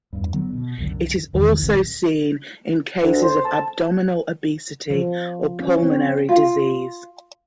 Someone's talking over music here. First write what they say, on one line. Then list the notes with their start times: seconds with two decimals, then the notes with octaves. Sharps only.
It is also seen in cases of abdominal obesity or pulmonary disease.
0.13 E2 G2
0.33 D3 F#3 B3
0.53 B2
0.78 C2 F#2 D3
1.33 A1 E2 D#3 E3
1.60 A#1 D#2 C3
3.03 D2
3.22 C5
3.45 A5
4.90 F3
5.60 C#4
5.83 C4
6.29 F4